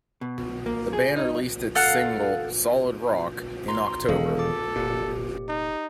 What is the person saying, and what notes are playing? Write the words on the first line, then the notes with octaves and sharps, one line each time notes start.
The band released its single "Solid Rock" in October.
B2
A#3
G#4
D#4
A4 F5 F#5
A#5 C6
E1 D#3 G#4 A4 F5
A4 D6
F1 A#2 G4
D#4